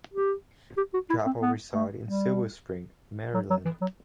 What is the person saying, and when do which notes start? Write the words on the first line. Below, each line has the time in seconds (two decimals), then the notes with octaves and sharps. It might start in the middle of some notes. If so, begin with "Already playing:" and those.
The couple reside in Silver Spring, Maryland.
0.14 G4
0.77 G4
0.94 F#4
1.10 E4
1.26 C4
1.42 B3
1.74 A3
2.05 G3
3.34 F#3
3.50 F#3
3.65 E3
3.81 F#3